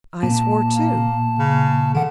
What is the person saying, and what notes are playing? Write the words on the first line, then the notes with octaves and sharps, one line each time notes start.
I swore too.
A#2 A5
A#3
C#3
D3 D#3 F#5